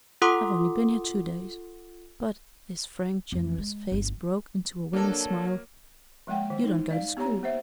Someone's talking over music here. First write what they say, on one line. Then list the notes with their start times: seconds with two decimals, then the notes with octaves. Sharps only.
I've only been here two days. But"--his frank, generous face broke into a winning smile--"you don't go to school.
0.22 F4 A4 F#5 C6 D6 D#6
3.32 F2 A3
3.58 G#3
3.92 G1 D2
4.93 F#3 A#3 D4 A4 A#4
6.27 F3 G#3 A#3 F#5 G5
6.50 D#3
6.64 D#4
6.91 D5 F5
7.17 B3 G4 C#5 A#5
7.43 A#3 C5 E5